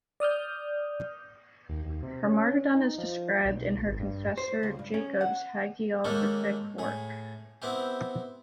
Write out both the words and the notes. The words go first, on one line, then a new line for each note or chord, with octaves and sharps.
Her martyrdom is described in her confessor Jacob's hagiographic work.
D5 D#6 F6 G6
D#2
D#2
C3
C#4
D#4
F3
B1
G#1
G2
C5
C#2
G2
C#4
F#5
D#3 G#3 A#3 C#4 G4 A4
A2 G#4
B3 C4 E4 G4